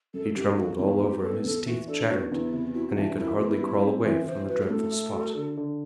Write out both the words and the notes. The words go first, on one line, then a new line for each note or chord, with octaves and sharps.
He trembled all over and his teeth chattered, and he could hardly crawl away from the dreadful spot.
F#2 A4
F#2 G4
G3 F#4
E2 E4
F#3 G4
B3 A4
E2 A4
E3 F#4
D4 A4
B3 F#4
E2 E4
C3
E4 F#4
E4
E3 D4
F#2 E4
B3 E4 F#4
G3
C4
E3 E4
E3 C5
F#4 B4
G4
A2 A4
A3
F#4
D3
D3